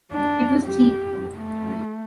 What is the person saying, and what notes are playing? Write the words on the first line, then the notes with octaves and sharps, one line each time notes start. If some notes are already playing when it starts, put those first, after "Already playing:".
It was cheap.
D4
G4
A3